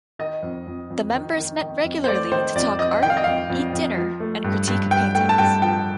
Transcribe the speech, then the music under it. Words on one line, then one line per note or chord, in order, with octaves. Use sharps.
The members met regularly to talk art, eat dinner, and critique paintings.
D#3 D#5
F2
F2
F2
D#3
D#3
D#3
F2
C5
A3 D5
D#3 C5
F2 D5
F2 D#5
D#3 G5
F5
D#5
F2 F5
F2
F2
F3
A3
G2
G2
G2 G5
A3 G5
A5
G2 G5
F3 G5